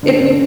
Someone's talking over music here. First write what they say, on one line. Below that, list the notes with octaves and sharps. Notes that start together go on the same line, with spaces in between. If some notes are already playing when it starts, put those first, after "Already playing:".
if you
D3
D3